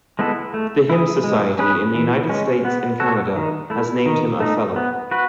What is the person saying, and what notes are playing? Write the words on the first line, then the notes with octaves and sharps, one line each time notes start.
The Hymn Society in the United States and Canada has named him a "fellow".
G#3 B3 E4 A4
A3
E4 G#4
G#3
C#4 G#4 B4
E3
G#3 C#4
B3
F#4 A4 C#5
D#3
A3 E4
D#3
A3 D#4
B3
F#4 B4